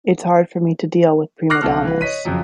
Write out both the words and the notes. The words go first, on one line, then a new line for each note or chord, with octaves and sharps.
It's hard for me to deal with prima donnas.
C#6 D6 F6 F#6 A#6 C7
B1 C3 A4 F6
E3 B4
C#5 D#5 B6 D#7
F2 C#3 F3 F#3